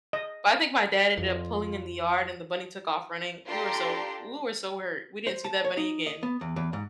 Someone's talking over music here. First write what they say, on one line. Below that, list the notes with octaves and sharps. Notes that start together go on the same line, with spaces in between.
I think my dad ended up pulling in the yard and the bunny took off running, we were so we were so hurt, we didn't see that bunny again.
D#5
F2 F4
D4 F4 G4 A4 A#5 C6
C5
A5
C#5
D#4
D#5
B3
E2
E2
G#2